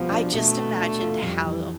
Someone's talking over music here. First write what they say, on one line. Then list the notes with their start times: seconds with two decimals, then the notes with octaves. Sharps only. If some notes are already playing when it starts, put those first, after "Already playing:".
I just imagined how
Already playing: B2 F3 G3 B3
0.11 D4
0.33 B2 A3
0.56 B3
0.78 D4
1.00 F4
1.22 F2 G3
1.44 E3